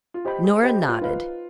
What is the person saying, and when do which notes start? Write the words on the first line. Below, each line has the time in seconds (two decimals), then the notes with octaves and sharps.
Nora nodded.
0.14 F4
0.25 G4 C5 D#5 G5 B5
0.44 G#4
0.63 G4 C5 D#5 G5 B5
0.76 G4
0.89 F4
1.01 D#4 B4 F5